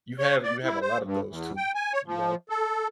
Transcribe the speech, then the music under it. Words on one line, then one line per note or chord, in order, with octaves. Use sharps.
you have you have a lot of those too, you know.
C#5
D5
E4
C5
G2
E2
G5
G#5
C#5
F3
A4